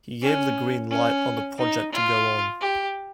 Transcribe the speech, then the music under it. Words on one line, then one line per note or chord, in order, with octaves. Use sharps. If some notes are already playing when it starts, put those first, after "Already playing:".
He gave the green light on the project to go on.
C#4
C#4
D#4
F4
G4